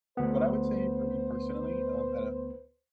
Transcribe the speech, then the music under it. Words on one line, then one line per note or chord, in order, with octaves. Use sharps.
But I would say for me personally, um, at a
D2 B3 B4 C5